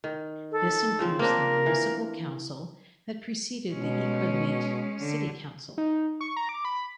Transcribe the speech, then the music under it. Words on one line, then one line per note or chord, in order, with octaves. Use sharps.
This includes the municipal council that preceded the Iqaluit City Council.
D#3
A4
C#3 F3 C4
A#3 C4 D4 A#4
E3
B2 G#3 C#4
D3
D#4
C#6
A#5
D6
B5